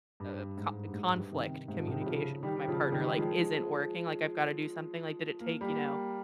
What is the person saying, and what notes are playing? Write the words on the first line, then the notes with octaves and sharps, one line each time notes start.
uh uh, "co conflict communication with my partner, like, isn't working, like, I've gotta do something." Like, did it take, you know,
G2
G#2
G2
G#2
G2
C3 D#3
G#2 C3
F3
C3 D#3
G3
C#3 F3
D#3 G3
C#3 F3
D#3 G3
F3 G#3
A#3
G3 A#3